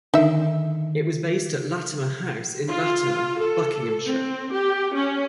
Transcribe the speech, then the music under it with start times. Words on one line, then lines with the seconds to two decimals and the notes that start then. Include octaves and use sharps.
It was based at Latimer House in Latimer, Buckinghamshire.
0.14 D3 D#3 D#4 E5
2.70 F4
3.42 A4
4.06 C4
4.53 G4
4.96 C#4